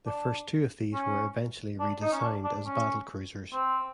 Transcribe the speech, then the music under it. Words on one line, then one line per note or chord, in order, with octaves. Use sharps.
The first two of these were eventually redesigned as battlecruisers.
D4
C#4
D4
D#4
C#4
D4
D4
C#4
C4